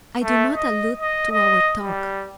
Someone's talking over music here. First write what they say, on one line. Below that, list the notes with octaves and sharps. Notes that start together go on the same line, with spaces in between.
"I do not allude to our talk."
A3
D#5
D#5
D#5
G3